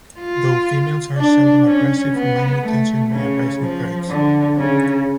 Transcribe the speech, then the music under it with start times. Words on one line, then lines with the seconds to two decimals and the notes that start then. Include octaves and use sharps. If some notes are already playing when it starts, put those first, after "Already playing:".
Though females are seldom aggressive, minor tension may arise in herds.
0.20 F4
1.17 D4
1.65 C#4
2.14 B3
2.62 A3
3.11 C#3
3.60 F3
4.09 D3
4.57 C#3